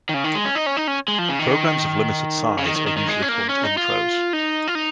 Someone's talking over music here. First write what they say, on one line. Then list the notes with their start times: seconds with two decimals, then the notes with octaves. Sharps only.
Programs of limited size are usually called intros.
0.09 D#3
0.14 C#3
0.24 D#3
0.35 G#3
0.46 C#4
0.55 D#4
0.66 C#4
0.77 D#4
0.87 C#4
1.08 G#3
1.19 F3
1.29 C#3
1.39 D#3
2.58 C#3
2.66 D#3
2.76 D#3
2.87 D#3
2.97 D#3
3.08 G#3
3.22 C#4
3.28 A#3
3.49 C#4
3.63 D#4
3.77 F4
4.33 D#4
4.68 F4
4.75 D#4